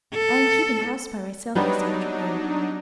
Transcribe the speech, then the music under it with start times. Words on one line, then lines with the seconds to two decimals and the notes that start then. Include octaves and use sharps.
I am keeping house by myself this afternoon.
0.14 A4
1.55 F#3 G3 B3 C4 D4 D#4